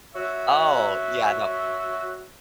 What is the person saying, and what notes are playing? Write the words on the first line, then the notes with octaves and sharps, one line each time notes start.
Oh, yeah, no
F#4 C#5 E5